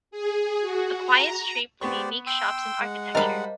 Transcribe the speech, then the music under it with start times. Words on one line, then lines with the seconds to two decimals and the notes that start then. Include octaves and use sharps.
A quiet street with unique shops and architecture.
0.11 G#4
0.61 F#4
1.04 A#5
1.81 B3 G4 C5 D5 C#6
2.27 G5 C6 E6
2.80 G#3 F#5
3.15 G3 A#4 C5 D#5 F5 A5 B5